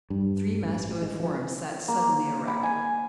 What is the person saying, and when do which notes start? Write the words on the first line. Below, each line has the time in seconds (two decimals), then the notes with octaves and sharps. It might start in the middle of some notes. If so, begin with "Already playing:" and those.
Three masculine forms sat suddenly erect.
0.10 G2
0.64 A1
1.02 G#3
1.20 F3
1.88 A#3
2.47 B5
2.63 G#5